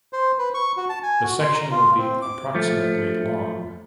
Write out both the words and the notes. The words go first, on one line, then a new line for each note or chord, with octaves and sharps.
The section will be approximately long.
C5
B4
C#6
F#4
A5
G#5
F#4
C6
A#5
F4
C4
D6
F3 A3